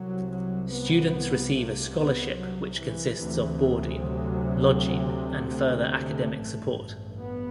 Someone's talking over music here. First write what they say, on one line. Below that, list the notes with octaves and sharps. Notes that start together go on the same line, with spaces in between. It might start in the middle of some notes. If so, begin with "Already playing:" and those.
Students receive a scholarship which consists of boarding, lodging and further academic support.
Already playing: C2 C3 F#3
F#3
B3
A3
B3
F#3
E3
D2 C3 E3
F#3
A3
A1 G2
B3